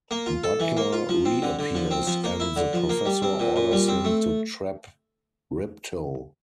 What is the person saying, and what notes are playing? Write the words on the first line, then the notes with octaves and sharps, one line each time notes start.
Butler reappears, and the Professor orders him to trap Ripto.
A#3
F4
A4
E3
A#3
F4
F3
C4
D3
D3
F3
C4
F3
A#3
E4
D3
F3
A#3
G3
C4
A#2
A#2
G3
C4
A3